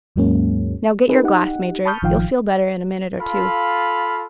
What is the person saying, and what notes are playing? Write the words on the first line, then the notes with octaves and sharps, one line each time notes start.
"Now get your glass, Major. You'll feel better in a minute or two."
D#2 G#2 F#3 G#3 A#3 C#4
C4 D#4 G#4 A#4 B4
D#4 G4 F#5
A5 B5 C#6 D#6 F6 G6
A1 D#3 F3 F5 G5
F4 A4 F5 B5